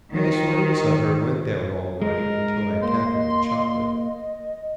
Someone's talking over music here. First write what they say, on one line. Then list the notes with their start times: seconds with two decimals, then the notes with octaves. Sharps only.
My assorted supper went down all right until I tackled the chocolate.
0.14 D#3
2.02 G#3 A#4 D#5
2.83 A#3 C6